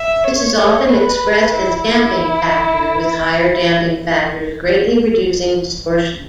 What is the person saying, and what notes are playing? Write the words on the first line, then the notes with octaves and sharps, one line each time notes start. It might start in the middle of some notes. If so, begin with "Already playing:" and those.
This is often expressed as damping factor, with higher damping factors greatly reducing distortion.
Already playing: E5
C#5
B4
E4